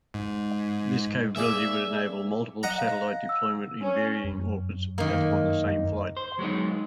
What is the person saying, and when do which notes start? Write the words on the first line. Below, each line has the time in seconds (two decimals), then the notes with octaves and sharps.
This capability would enable multiple satellite deployment in varying orbits on same flight.
0.14 G#2
1.36 A#3 G#4 D5 E5
2.63 D#5 F#5 A#5
2.78 F5
3.29 E6
3.82 C#4
4.24 F#2
4.98 D#3 A#3
6.17 C5
6.39 F#3 G#3 B3 D#4